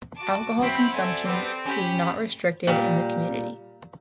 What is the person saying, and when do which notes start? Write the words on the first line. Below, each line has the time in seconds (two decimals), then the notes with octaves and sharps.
Alcohol consumption is not restricted in the community.
0.16 F#4 A5 D6
0.62 F#3 C4 E4 G5 B5
0.93 A4 D5 E5 G#5
1.25 G3 B3 C4
1.65 C#4 G4 B5
2.67 A#2 G3